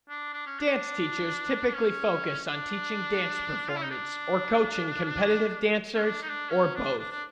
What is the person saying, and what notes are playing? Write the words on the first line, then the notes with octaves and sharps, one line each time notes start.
Dance teachers typically focus on teaching dance performance, or coaching competitive dancers, or both.
D4
D4
C#4
D4
D4
C#4
D4
F4
E4
D#4
D4
C#4
D4
D#4
D4
C#4
D4
D4
D4